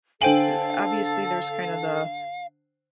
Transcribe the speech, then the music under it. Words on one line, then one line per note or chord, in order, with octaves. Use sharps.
eh, obviously, there's kind of the
D3 A4 C5 F5 G5 G#5 D7 F#7